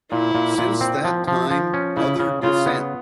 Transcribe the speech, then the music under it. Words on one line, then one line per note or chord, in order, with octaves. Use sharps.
Since that time other Dissent!
A#2 E4
A#2
A#2
C4
F3
F3
F3
C#4
C#3 E4
C#3
C#3 F4
B3